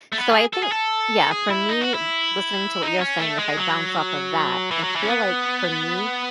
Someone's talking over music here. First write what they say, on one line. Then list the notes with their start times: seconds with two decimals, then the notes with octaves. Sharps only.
So I think yeah, for me, listening to what you're saying, if I bounce off of that, I feel, like, for me,
0.13 A3
0.18 B3
0.31 G#4
0.53 A4
0.63 G#4
0.72 A4
1.31 G#4
1.50 E4
1.69 D#4
1.81 F#4
1.94 E4
2.82 D#4
3.00 C#4
3.19 A3
3.39 G#3
3.57 F#3
4.71 E3
4.83 F#3
4.96 E3
5.02 C#4
5.08 B3